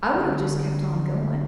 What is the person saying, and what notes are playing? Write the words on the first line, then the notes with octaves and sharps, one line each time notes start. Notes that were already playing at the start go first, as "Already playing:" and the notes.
I would've just kept on going
D3